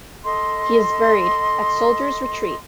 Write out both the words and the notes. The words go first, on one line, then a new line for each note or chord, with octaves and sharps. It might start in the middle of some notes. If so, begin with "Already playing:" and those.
He is buried at Soldier's Retreat.
A4 D#5 C6